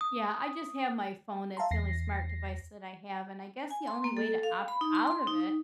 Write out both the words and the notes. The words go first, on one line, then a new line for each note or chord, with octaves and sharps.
Yeah, I just have my phone, that's the only smart device that I have, and I guess the only way to opt out of it
D#6
E5 F5 A5 A#5 C6
E2 A#6 C7
G#5
C6
A#3
A4
A4
F5
B5
D#4
C6
C6
D#4
D#4